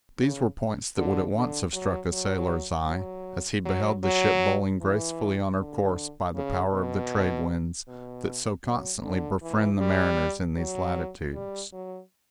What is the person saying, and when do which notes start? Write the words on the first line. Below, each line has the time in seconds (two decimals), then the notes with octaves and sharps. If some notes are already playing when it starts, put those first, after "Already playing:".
These were points that would at once have struck a sailor's eye, as he beheld the ship bowling gracefully on her course by the power of the trade winds that so constantly befriend the mariners in these latitudes.
0.20 C#3
0.97 D3
1.35 D3
1.73 F#3
2.12 F#3
2.89 F#3
3.65 F#3
4.04 F#3
4.81 E3
5.58 D3
6.35 C#3
6.73 B2
7.88 B2
8.65 F#3
9.03 D3
9.42 E3
9.80 G3
10.57 F#3
11.34 G3
11.73 F#3